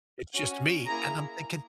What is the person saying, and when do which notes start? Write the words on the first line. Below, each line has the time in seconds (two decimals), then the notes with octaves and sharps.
It's just me," and I'm thinking,
0.35 C#4 F#4
0.87 A#3 E4 G#4 A#5